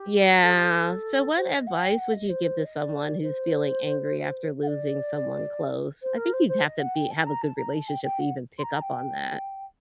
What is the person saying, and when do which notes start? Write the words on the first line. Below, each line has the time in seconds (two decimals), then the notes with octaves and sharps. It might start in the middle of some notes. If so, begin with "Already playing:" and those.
Yeah. So, what advice would you give to someone who's feeling angry after losing someone close? I think you'd have to be have a good relationship to even pick up on that.
Already playing: G4
0.42 A4
0.53 G4
0.63 A4
1.36 C5
1.52 D#5
1.67 F#5
1.82 G5
1.98 F#5
2.13 D#5
2.29 C5
2.64 D#5
2.75 D5
3.22 C5
4.62 F#5
4.67 D5
6.02 C5
6.17 A#4
6.33 C5
6.48 C5
6.64 D#5
6.79 F#5
6.95 G5
7.10 A5
7.26 A#5
7.42 A5
7.57 A#5
7.73 A5
7.88 G5
8.03 G5
8.19 F#5
8.58 C6
8.63 A#5
8.81 G5